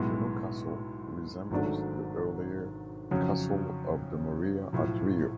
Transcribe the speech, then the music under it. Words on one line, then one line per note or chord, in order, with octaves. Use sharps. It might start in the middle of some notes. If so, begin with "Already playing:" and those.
The new castle resembles the earlier Castle of the Morea at Rio.
Already playing: B1 A2 G#3 B3
G#1 G#2 F#3 A3 D4
F2 C#3 F#3 C#4
B1 A2 F3